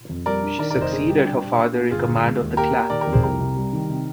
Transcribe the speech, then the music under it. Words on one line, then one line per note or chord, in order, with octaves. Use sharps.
She succeeded her father in command of the clan.
F2
G3 A#4 D5
D4
D#3 A#4 D5
A#4 D5
F1
C5 D#5
D3 G#4 C5
G3 G4
D4 G4
D4
A#2
A#3
G1 F4 G#4
G1
G#3
D#2
A#3 G4 A#4
A#3
D#3 A#4 D5
G4 A#4
F2
G#4 C5
C2 G4 A#4
C3
G3
D#3
C3